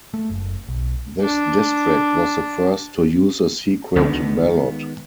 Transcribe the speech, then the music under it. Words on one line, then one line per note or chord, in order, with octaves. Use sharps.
This district was the first to use a secret ballot.
A3
F#1
B1
D4
D2 D#3 G#3 B3